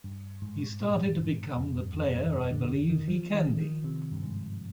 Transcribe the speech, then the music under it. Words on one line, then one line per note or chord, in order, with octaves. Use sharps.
He started to become the player I believe he can be.
G2
G#2
A#2
G#2
G2
G#2
F2
G2
F2
G2
G2
D3
D#3
F3
D#3
D#3
C3
G2
G#2